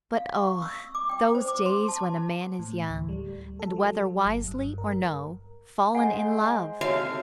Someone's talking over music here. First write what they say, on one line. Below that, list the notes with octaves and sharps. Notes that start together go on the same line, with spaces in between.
But, oh! those days when a man is young, and, whether wisely or no, fallen in love!
F5
C#6
E6
D6
G5
C5
D6
C6
A5
A2
D2
G3
A4
F#3
G1
G2
A#4
G#3 C5 F#5 G#5 C6
C3 F#4 A4 C5 C#5 E5 F5